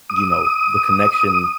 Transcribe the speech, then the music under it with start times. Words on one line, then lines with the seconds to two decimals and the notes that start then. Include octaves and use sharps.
you know, the connection
0.10 D#6